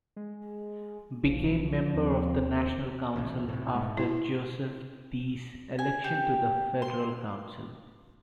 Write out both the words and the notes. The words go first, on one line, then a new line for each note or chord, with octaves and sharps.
Became member of the National Council after Joseph Deiss' election to the Federal Council.
G#3
B1 F3
D#2 C4
A1 D2 C3
A2 C3
G#2 G#3 A3
E4
G#5
G4
C6